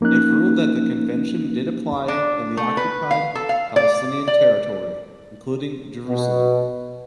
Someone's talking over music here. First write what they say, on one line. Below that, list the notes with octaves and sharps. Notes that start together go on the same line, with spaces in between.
It ruled that the Convention did apply in the Occupied Palestinian Territory, including Jerusalem.
F3 A#3 C#4 D#4 F#6
D4
A3
B4
F5
A4
F5
D5
D5
B2